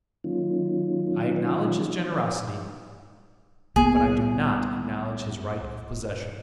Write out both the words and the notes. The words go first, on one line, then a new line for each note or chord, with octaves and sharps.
I acknowledge his generosity, but I do not acknowledge his right of possession.
D#3 F#3 A#3 C#4 D#4 F4
C2 A#3 B3 G#4